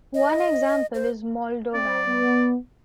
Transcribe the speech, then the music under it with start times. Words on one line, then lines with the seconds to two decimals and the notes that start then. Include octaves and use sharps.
One example is Moldovan.
0.14 D#5
0.94 C5
1.74 C4 D5
2.07 B3